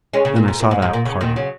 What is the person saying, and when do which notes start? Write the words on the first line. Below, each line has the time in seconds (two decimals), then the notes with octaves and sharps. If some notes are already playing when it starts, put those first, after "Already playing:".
Then I sought out Carter.
0.13 G#3 C#4
0.25 C#3
0.36 A#2
0.48 G#2
0.60 A#2
0.71 G#2
0.82 G#2
0.93 A#2
1.05 C#3
1.21 A#2 D#3
1.36 C#3 F#3